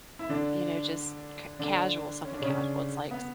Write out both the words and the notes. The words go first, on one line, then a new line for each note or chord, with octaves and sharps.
you know, just c casual something casual, it's like s
E4
D3 D4
D3 D4
C#4
D4
C#3 C#4
B3